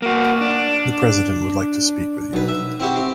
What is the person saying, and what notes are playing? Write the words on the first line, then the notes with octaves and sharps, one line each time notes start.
The President would like to speak with you.
A#3 F#4
D4
B1 B4
E5
C4 E4 F#4 G4
C4 C6